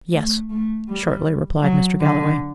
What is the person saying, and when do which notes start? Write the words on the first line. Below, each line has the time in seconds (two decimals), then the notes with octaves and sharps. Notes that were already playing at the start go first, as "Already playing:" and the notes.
"Yes," shortly replied Mr. Galloway.
0.11 A3
0.48 A3
0.87 G3
1.61 F#3
1.99 D3